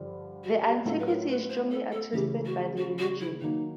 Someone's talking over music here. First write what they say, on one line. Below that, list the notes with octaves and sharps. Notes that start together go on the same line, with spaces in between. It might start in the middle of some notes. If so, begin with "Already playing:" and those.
Their antiquity is strongly attested by their religion.
Already playing: G2 D3 F3
F#4
G4
A2 F#3 A3 C#4 F4 A4
B4
A#4
B4
C5
A4
A4
C#3 E3 A3 G4
F#4
F#4
F#4
E4
D#3 F#3 A#3 D#4